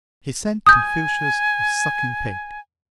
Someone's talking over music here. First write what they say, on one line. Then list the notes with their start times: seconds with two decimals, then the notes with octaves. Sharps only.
He sent Confucius a sucking pig.
0.67 G#5 D#6 G6